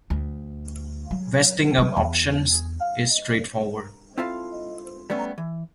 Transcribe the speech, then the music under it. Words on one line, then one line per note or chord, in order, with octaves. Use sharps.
Vesting of options is straightforward.
D2
F#3
C#3 F#3
E2
C4 E4 F4 A4 F5 A5
G3 A3 B3 C#4
E3